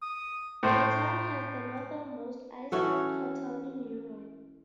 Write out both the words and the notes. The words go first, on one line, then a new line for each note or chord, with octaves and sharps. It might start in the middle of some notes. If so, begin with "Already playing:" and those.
The town has the northernmost ice hotel in Europe.
D#6
A2 C5
E3 C#4 F#4 A4